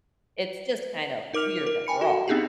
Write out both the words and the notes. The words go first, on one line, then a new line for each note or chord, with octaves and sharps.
it's just kind of weird overall.
D#4 A#4 D6 F6 F7
A#4
G5 G#5 B5 C#7
F#4 A4
B3 C4 D4 D#4 G4 G#4